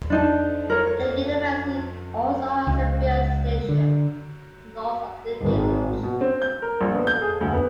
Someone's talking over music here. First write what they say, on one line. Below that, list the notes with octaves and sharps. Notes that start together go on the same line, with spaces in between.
The University also has a field station north of the village.
D4 D#4 A5
A#4 C#5
C#5
C#2
D3
G#1
B2
C4
G6
A#4
A#1
B3
G6
G#4
D2
B3